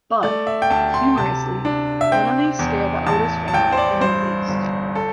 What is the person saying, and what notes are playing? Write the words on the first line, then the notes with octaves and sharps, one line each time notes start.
But, humorously, none of these scare the Otis family in the least.
A3 D5
E5
G5
D2 A5
C6
C3 A5
D4
E5
C4 G5
E2
A1 A5
A5
A1 G5
C5
D5
G2 C5
G1
A4